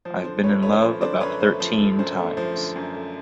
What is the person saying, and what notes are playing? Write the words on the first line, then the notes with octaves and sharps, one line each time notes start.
I've been in love about thirteen times.
F3 C5
D3 C5
F#2 B4 C#5
A3 B4 C#5
C#5
F3 C5
D3 C5 D5
F#2 B4 C#5
A3 C5
F3 C5
D3
F#2 C5
A3
F3 C5
D3
F#2
A3